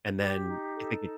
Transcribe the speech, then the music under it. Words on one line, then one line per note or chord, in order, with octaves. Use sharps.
and then if it gets
G4
D#4
A4